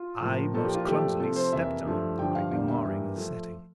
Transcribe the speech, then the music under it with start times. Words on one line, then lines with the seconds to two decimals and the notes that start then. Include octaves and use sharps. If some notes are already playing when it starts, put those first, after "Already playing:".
I most clumsily, stepped on it, greatly marring the setting.
Already playing: F4
0.21 A2 F3 A#3
0.54 A#2 F3 A#3 A4
0.65 G4
0.75 F4
0.86 A#2 F3 A3 G4
1.20 C3 F3 A3 A4
1.36 C5
1.52 F2 C3 E3 A#3 E5
1.86 G2 F3 A3
2.18 G2 D3 F3 G5
2.35 F5
2.51 E2 D3 G3 A#3 F5
2.68 E5
2.84 G2 E3 G3 A#3
3.17 F3 A3